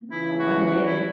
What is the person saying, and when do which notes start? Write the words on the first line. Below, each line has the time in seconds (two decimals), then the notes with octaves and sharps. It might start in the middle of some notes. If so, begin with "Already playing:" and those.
I don't know what it is.
0.11 C#3 E3 E4
0.39 F#4
0.67 F#4
0.86 E4